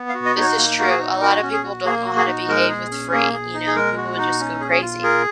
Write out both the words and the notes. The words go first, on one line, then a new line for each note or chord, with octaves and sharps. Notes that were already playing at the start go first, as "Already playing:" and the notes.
This is true, a lotta people don't know how to behave with free, you know? People would just go crazy.
Already playing: B3
F5
F#4
D#5
D#4 C#5
A#3
F#4 A#4
G#4
D#4
F#4 A#4
C#4
G#4
F#4
A#3 G#4
F#4
G#4
D#4
G#3 A#4
G#4
C#4
A#3 G#4
G#4
D#4
G#4
G#3 A#4
F#4
D#4
C#4
G#4
G#4
F4
G#4 A#4